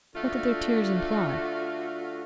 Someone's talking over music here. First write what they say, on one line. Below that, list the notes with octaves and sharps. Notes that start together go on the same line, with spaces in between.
What did their tears imply?
D3 A3 F4 F#4